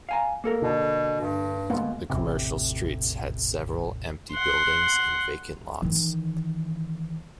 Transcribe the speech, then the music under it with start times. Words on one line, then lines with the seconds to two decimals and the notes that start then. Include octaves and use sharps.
The commercial streets had several empty buildings and vacant lots.
0.09 F5 G#5 A#5
0.44 A#3 A4 A#4
0.62 B2 D3
1.21 G2
1.70 D2 B2 G#3 A#3
2.10 E1 A1 C3
4.32 F#5 C6
5.82 D#3 E3